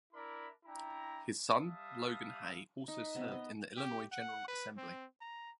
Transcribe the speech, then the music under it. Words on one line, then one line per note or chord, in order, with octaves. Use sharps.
His son Logan Hay also served in the Illinois General Assembly.
D4 E4 A#4 D5 B5
D4 E4 G5 A#5
G3 E5 F5 A5 D#6
D#4
B4
C3 B3
B3 D#5
G4
F#5
B4
C4
A#5